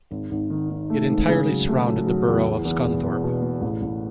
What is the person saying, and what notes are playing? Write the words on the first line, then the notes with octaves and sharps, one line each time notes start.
It entirely surrounded the Borough of Scunthorpe.
G#1
G#1
D#3
D#3
A3
G#2
C#3
F#3
A3
F#3
F#3
E2
E2
E2
E1
E2
B2
B2
A1
A1